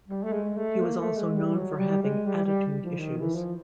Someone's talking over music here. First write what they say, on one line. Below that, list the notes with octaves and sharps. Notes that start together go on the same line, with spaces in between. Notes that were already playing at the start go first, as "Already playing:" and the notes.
He was also known for having attitude issues.
G3
A3
G#3
A3
A#3
A3
G#3
G3
F#3
G3
G#3
G3
G3
F3
D#3
E3
F3